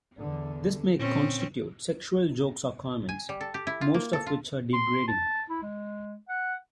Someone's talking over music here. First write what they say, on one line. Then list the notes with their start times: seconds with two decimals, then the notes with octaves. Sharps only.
This may constitute sexual jokes or comments, most of which are degrading.
0.19 E2 D3
0.99 A#2 C4 C#4
3.09 G#5
3.29 G3
3.41 A4
3.54 G4
3.67 E4
3.81 F4
3.94 A#3
4.13 A4
4.26 F4
4.73 C6
5.08 A5
5.50 E4
5.62 G#3
6.29 F#5